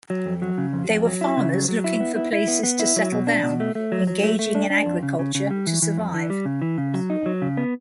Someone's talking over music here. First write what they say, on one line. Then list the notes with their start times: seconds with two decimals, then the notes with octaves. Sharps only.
They were farmers looking for places to settle down, engaging in agriculture to survive.
0.10 F#3
0.26 F2
0.42 F#3
0.58 C#3
0.73 F2
0.89 F2
1.05 F#3
1.21 E4
1.37 C#3
1.53 F#3
1.68 F#3
1.84 E4
2.00 B3
2.16 E4
2.33 E4
2.48 B3
2.63 B3
2.79 E4
2.96 F#3
3.12 B2
3.27 D4
3.43 B2
3.60 A3
3.75 A3
3.92 F#3
4.07 F#3
4.23 A3
4.39 A3
4.55 D4
4.70 D4
4.86 F2
5.03 C#3
5.19 C#3
5.35 C#3
5.51 G3
5.67 E3
5.82 E3
5.97 F2
6.14 E3
6.30 G3
6.45 C#3
6.62 E3
6.78 C#3
6.94 F#3
7.10 D#4
7.26 F#3
7.42 C#3
7.57 B3